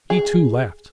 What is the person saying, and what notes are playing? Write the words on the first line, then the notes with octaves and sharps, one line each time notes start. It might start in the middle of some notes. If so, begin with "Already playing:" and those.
He, too, laughed.
G#4